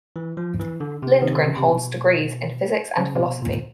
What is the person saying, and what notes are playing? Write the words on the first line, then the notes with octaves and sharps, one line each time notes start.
Lindgren holds degrees in physics and philosophy.
E3
F3
E3
D3
C3
D#3
D3
C#3
C3
B2
C#3
C3
B2
A#2